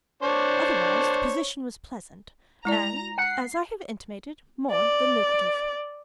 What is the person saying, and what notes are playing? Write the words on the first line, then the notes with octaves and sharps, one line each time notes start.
Otherwise the position was pleasant, and, as I have intimated, more than lucrative.
D4 C5 C#5
G#3 E4 D5 A#5
F#5 C7
D5